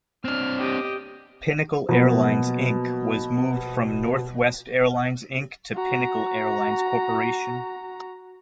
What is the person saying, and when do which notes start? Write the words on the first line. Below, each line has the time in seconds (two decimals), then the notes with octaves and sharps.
Pinnacle Airlines, Inc was moved from Northwest Airlines, Inc to Pinnacle Airlines Corporation.
0.25 C4 D4 F6
0.59 G4 D#5
1.89 B2 F3 F#3 A#3 B3
5.75 F#4 A#5